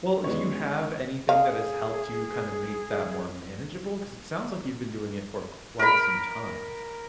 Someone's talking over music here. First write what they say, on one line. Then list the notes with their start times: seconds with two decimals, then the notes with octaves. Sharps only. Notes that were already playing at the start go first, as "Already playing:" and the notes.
Well, do you have anything that has helped you kinda make that more manageable? 'Cause it sounds like you've been doing it for quite some time.
0.24 G3 G#3 B3 C#4 C#5
1.29 G#4 F5
5.79 A#4 B5